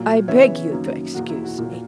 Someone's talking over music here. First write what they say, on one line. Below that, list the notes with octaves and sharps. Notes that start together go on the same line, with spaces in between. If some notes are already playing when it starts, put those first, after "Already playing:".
I beg you to excuse me...
Already playing: A#2 F#3 A#3
C#3 E3 B3 C#5 E5
F#2 D#3 F#3 A#3
E2 B2 A#3 F#4
E4
F#4
A#2 A#3